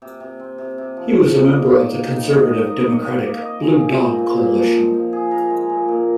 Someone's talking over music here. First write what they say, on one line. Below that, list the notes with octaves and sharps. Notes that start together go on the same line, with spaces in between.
He was a member of the conservative Democratic Blue Dog Coalition.
C3
C3
C4
C3
C3
F3
C3
D#4
A#3
A#3
A#3
D#3
D#5
D#5
D#5
D#5
A#3
A#3
D#5
G#4
A#2
C4
A#2
A#2
F3
F3
F3
G#4
A#4
G#3
A#2
A#2